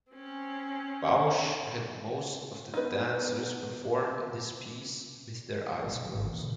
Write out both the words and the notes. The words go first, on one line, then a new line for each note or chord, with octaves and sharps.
Bausch had most of the dancers perform this piece with their eyes closed.
C4 C#4
B3 D#4 B4
B2 G3 A#3
F3 F#3
G#1 G#2 C#4
D1 E3 A#3
A#2 C#3